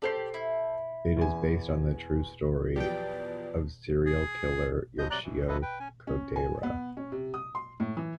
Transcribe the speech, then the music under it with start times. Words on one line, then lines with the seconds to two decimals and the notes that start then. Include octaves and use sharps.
It is based on the true story of serial killer Yoshio Kodaira.
0.02 G4 A4 C5 D5 C7
0.34 E4
1.17 E2 G#5
2.76 E2 F3 F#3 G4 B4 D5 G5
4.06 G#4
4.99 E2 F3 D#5 G6
5.10 C3 F#3 D5 A#5 F#6
5.23 B2 E3
5.48 C3 F#3 E4 A4 B4 D#5
5.62 B4 G5
5.80 C#4 G#5
6.07 C#4
6.36 G#5
6.63 B3
6.97 C#4
7.12 C3
7.34 D#6
7.55 C6
7.80 A2
7.97 E3